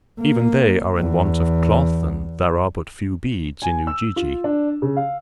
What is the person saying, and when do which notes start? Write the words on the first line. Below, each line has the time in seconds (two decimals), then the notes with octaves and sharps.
Even they are in want of cloth, and there are but few beads in Ujiji.
0.19 A#3
0.98 E2
3.62 G#5
3.87 E6
4.16 F4
4.44 D4
4.82 C#3
4.97 F5